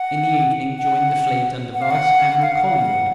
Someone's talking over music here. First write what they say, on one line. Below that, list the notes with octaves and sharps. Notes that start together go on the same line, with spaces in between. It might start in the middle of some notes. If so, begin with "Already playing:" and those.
In the evening joined the Fleet under Vice Admiral COLLINGWOOD.
Already playing: F#5
F#5
F#5
F5
F#5
F5
F#5